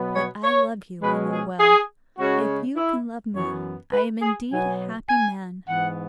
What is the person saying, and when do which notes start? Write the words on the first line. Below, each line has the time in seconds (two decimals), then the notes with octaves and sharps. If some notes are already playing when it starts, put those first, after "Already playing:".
That I love you I know well; if you can love me I am indeed a happy man.'
Already playing: B2 F#3 B3
0.15 C#5
0.44 C#5
1.02 B2 G#3 C#4 B4
1.31 G#4
1.60 G#4
2.18 C#3 G#3 C#4 F#4
2.76 E4
3.34 F#2 E3 B3 C#5
3.92 B4
4.22 G#4
4.51 B2 F#3 B3 G#5
5.09 G#5
5.67 G#2 E3 B3 F#5